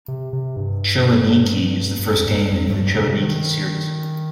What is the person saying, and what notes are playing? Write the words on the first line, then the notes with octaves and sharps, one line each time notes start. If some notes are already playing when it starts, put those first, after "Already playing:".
"Cho Aniki" is the first game in the "Cho Aniki" series.
C3
C3
G2
G2
F2
G#2
G2
F2
G2
C3
B2
C3
D#3